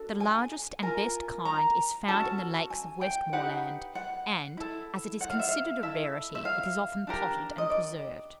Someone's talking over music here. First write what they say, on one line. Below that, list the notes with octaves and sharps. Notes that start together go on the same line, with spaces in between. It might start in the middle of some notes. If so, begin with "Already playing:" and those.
The largest and best kind is found in the lakes of Westmoreland, and, as it is considered a rarity, it is often potted and preserved.
Already playing: D4 F#4 A4
G#5
F4 A#4 G#5
A#5
C#4 F#4 A4 A5
G#5
G5
D#4 G4 B4 F#5
F#5
E4 A4
F#5
F5
E5
F5
E4 A4 E5
E5
F5
D4 G4 A#4
D#5
D5